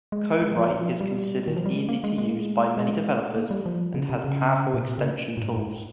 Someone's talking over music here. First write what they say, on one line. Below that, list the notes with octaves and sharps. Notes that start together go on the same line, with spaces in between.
CodeWright is considered easy to use by many developers and has powerful extension tools.
G#3
G#3
F3
F3
G3
D#3
F3
G3
G#3
A#3
G#3
G#3
A#3
G#3
G#3
A#3
G3
F3
C#3
C3
C#3
A#2
C3
C#3
A#2
G#2
G#2